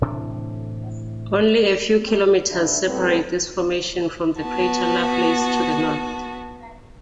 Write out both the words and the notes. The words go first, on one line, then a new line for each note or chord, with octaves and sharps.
Only a few kilometers separate this formation from the crater Lovelace to the north.
A2 C3 E3 D4
G#2 D3 E4
A2 G3 B3 C4
B3 F#4 A5